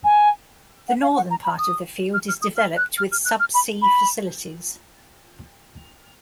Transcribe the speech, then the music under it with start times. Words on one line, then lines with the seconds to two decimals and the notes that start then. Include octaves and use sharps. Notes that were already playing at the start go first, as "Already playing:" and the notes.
The northern part of the field is developed with subsea facilities.
0.04 G#5
0.89 F#5
1.02 F5
1.16 F#5
1.31 A#5
1.44 B5
1.58 D#6
2.14 F6
2.28 F6
2.42 D#6
2.57 F6
2.77 F#6
2.98 F6
3.12 F6
3.25 F#6
3.40 F6
3.54 B5
3.82 B5